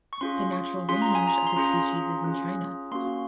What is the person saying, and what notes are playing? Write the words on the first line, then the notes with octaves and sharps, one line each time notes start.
The natural range of the species is in China.
C#6
C#4 F4 G#4 C6
C#4 F4 G#4 C6
A#5
G#5
A#5
C6
C#4 F4 G#4 A#5
C#4 F4 G#4
A#3 C#4 F#4 C6